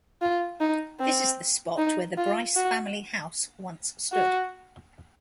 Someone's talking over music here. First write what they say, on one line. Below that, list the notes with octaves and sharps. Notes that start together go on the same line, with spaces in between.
This is the spot where the Brice family house once stood.
F4
D#4
C4
D#4
F4
F#4
F#4